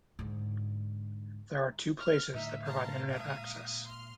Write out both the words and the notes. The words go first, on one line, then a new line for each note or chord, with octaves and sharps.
There are two places that provide Internet access.
G#2 D3
F6
A2 D3 G3 D#4 E5
F5 A5 A#5 C6
A#2 G#3 E5 A#5 D#6
C6 F6